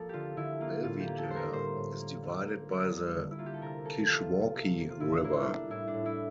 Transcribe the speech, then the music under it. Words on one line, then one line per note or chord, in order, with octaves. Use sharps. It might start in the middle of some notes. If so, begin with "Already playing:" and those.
Belvidere is divided by the Kishwaukee River.
Already playing: F3 A#3 A4
D3 F4 G4
D3 E4
A#3 F4
A2 F4
G4
A#3
A4
G3 C5
A#4
A2 C5
A2
A#3
D3
A#3
G3
D3
D3
E4
A#3 F4
G4
A4
C3 A#4
A#3 A4
E3 F4
C3
C3
A#3
F4
A2 E4
D4
A#3 E4
G3 D4
A2 E4
D4
A2
E4